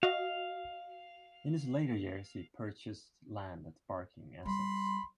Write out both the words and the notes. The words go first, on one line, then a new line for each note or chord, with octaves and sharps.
In his later years he purchased land at Barking, Essex.
F#4 D#5 F5
G3 B5 C6